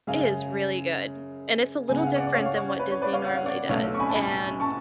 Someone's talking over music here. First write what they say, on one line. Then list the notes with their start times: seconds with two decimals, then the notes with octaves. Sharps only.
it is really good, and it's a little different than what Disney normally does, and
0.07 F#2 C#3 G#3 C#4 F5 G#5
1.89 C#2 C#3 G#3 B3 G#5
1.97 F#5
2.06 F5
2.16 D5 F#5
2.27 D5
2.33 C#5 F5
2.45 C#5 F5
2.56 C#5
2.68 C#5
2.79 B4
2.91 C#5
3.02 B4 D5
3.13 C#5 F5
3.25 F#5
3.35 F5
3.46 D5 F#5
3.69 B1 B2 A3 C#5 F5
3.94 C#6
4.00 G#5 B5
4.09 A5
4.14 G#5 B5
4.60 A5 C#6